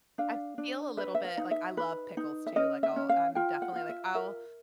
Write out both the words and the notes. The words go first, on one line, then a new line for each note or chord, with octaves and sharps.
I feel a little bit like, I love pickles too, like, I'll I'm definitely like I'll
D4 F5
D4
B4 E5
E5
F5
D#4
E5
B4
D#4
E5
C#4 D#5
E5
C#4
F5
F4 G5
F#5
F4
E5
A#4 E5